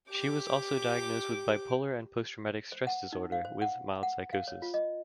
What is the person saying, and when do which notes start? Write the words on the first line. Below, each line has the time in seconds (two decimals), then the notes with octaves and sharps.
She was also Diagnosed with bipolar and post traumatic stress disorder with mild psychosis.
0.11 G4 D6
2.72 C5
2.87 F#5
3.13 D#4
3.32 F5
3.45 C5
3.62 F#5
4.03 F#5
4.33 F5
4.48 C#5
4.62 F4
4.74 D#5